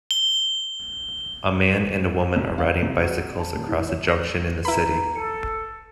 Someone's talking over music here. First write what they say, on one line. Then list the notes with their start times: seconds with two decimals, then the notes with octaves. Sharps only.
A man and woman are riding bicycles across a junction in the city.
0.11 G7
2.36 C2
2.58 F5
2.82 C2
3.02 F#4
3.39 A5
3.55 D#1
3.68 E3
3.89 C#5
4.08 A#6
4.65 E4 B4 A#5 B5
5.16 A4 C#7